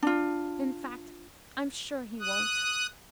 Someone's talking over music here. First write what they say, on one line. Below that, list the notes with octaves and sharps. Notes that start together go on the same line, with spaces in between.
In fact, I'm sure he won't.
D4 F4
D#6 F#6